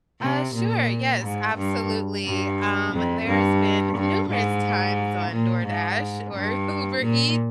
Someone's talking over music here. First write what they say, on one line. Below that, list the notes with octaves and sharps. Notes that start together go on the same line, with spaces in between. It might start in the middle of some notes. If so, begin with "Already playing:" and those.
Uh, sure. Yes, absolutely. Um, there's been numerous times on DoorDash, or Uber Eats.
C3
A#2
G#2
G2
G2
F2
G2
G2
G#2
A#2
G#2
G2
A#2